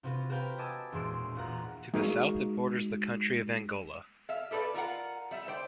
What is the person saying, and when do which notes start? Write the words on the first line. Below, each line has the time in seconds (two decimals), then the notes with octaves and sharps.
To the south it borders the country of Angola.
0.03 C3 C4 F4 F#4 B4
0.29 F#4 G4 A#4 B4 F5 G5
0.58 D#5 G#5 A5 D6 E6
0.92 E1 A#2 E4 C6 E6 D7
1.35 E1 A#2 F4 F#5 A#5
1.94 G#3 D#4 F#4 A#4 E5 F5
4.29 E5 F5
4.51 G4 A4 B4 C5 D5
4.74 F4 A#4 F5 F#5
5.31 G3 E5
5.48 C5 D5 G5